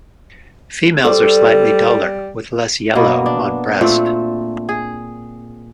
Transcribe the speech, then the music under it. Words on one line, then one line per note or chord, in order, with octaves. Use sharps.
Females are slightly duller, with less yellow on breast.
G3 A4 C5 D5
B2 A#3 B3 F#4
D4
A#2 A3 C4
G#4